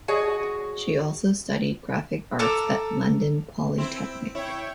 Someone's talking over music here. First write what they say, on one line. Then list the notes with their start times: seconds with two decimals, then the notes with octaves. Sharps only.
She also studied graphic arts at London Polytechnic.
0.08 F#4 G#4 C#5 D#5
2.39 A4 A#5 D6 E6
3.78 C4 E4
4.35 E4 C#5 G5